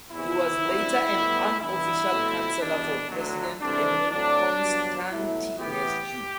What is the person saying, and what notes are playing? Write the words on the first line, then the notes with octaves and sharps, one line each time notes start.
He was later an unofficial counselor for president Emil Constantinescu.
E2 C3 E3 E4
F#2 D3 F#3 A3 C4
A2 G3 B3
G2 E3 B3 E4
B2 A3 C4
E2 B2 G3 B3 D4
D2 D3 F#3
C2 C3 E3 A3 C4 D4
A2 F#3 A3 C4 D4
G2 F#3 B3
B2 F#3 A3 E4
A2 E3 B3 G4